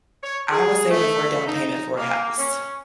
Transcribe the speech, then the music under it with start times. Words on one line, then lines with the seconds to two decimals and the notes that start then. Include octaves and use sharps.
I was saving it for a down payment for a house.
0.22 C#5
0.51 G#4
0.89 A3
1.46 D#4
1.96 A#3
2.38 C#4